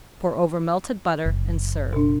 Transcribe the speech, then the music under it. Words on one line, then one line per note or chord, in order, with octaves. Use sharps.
Pour over melted butter and serve.
F#1
B2 D4